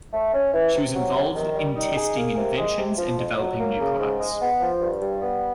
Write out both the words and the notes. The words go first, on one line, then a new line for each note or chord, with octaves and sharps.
She was involved in testing inventions and developing new products.
A3
C#4
E3
C3
F#3
C3
D#3
G3
D#4
G#4
A#3
C3
G#3
C3
F3
F2
F#3
A#3
C#3
G#2
G#3
B3
F3
G2
G3
B3